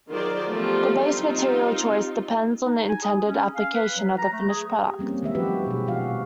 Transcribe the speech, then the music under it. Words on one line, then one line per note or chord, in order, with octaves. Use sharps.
The base material choice depends on the intended application of the finished product.
D#3 F#3 F4 G#4 C5 D5
F3 G3 A3 B3 D#4 F4
C4 D#4 F4 G4
D#4
G#5
G#4
C#4
F5
B4
F#3
A#5
A3
G#4
G4
G3 A#3 C4 C#4
D#3 G#3 E5
F3 F#3 C#4 F#4 G4 B4
B2 G#4
A#2 F3 G#3 F#4 F5